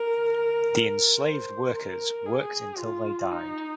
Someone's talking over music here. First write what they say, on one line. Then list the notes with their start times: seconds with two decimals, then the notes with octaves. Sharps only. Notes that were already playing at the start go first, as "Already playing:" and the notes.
The enslaved workers worked until they died!
Already playing: A#4
1.19 C5
1.72 A#4
2.26 G#4
2.78 F4
3.32 D#4